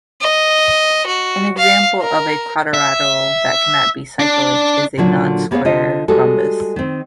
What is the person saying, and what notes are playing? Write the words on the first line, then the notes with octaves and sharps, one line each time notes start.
An example of a quadrilateral that cannot be cyclic is a non-square rhombus.
D#5
F#4
F5
A#4
E5
D4
A#2 D3 F#3 F4
A#3 B3 G#4 A#4 C#5 F5
D3 F4 C5 D#5
G3 G#3 F#4 A4
D#3 C4